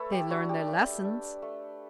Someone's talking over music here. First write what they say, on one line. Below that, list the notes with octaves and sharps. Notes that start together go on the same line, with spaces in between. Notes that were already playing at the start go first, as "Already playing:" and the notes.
"They learn their lessons."
Already playing: A3 A4 B4 C#5
G4
D4 F#4
G4
A3
D4
A3